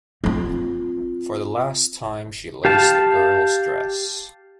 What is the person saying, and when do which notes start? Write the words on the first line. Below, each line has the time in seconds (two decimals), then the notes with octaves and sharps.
For the last time she laced the girl's dress.
0.24 C4 F4
2.65 G4 F5 A5